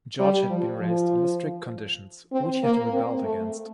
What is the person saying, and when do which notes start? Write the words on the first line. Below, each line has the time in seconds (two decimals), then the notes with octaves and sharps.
George had been raised under strict conditions, which he had rebelled against.
0.19 G3
0.49 F3
0.80 F3
2.32 C4
2.63 A#3
2.93 C4
3.23 A3